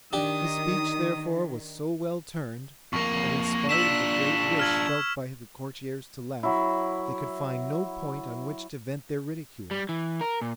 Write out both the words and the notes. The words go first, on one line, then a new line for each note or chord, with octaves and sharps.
His speech, therefore, was so well turned, that in spite of the great wish felt by the courtiers to laugh, they could find no point on which to vent their ridicule.
D#3 D4 G4 D#6
F2 A#3 C#6
D4 F4 E6 B6 E7
F6 G#6 F#7
F#3 E4
G3
E3
A#4
A#2